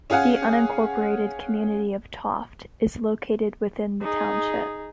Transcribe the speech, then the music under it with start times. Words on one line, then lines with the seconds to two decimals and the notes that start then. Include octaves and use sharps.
The unincorporated community of Tofte is located within the township.
0.10 C#4 G#4 F5 F#5 G#5
4.01 D#4 G#4